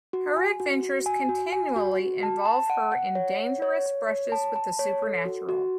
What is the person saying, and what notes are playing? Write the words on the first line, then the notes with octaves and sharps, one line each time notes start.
Her adventures continually involve her in dangerous brushes with the supernatural.
F#4
G#5
F#4
F#4
G#5
F#4
G#5
F#4
F#4
A5
A5
F#5
F#5
C#5
F#5
C#5
C#5
C#5
A5
A5
C#5
A4
F#4
F#4